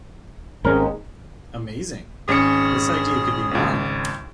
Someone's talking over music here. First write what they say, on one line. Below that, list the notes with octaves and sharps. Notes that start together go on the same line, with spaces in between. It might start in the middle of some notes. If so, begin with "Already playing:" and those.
Amazing, this idea could be mine!
G#1 D#2 G#3 C4 C#4 A#4
G#1 C#4 G#4 C#7
G#1 C#2